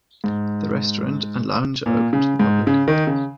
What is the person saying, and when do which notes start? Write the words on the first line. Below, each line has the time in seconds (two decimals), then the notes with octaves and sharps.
The restaurant and lounge are open to the public.
0.24 G#2
1.86 A#2
2.13 C#3
2.39 G#2
2.67 C#3
2.88 D#3
3.07 C#3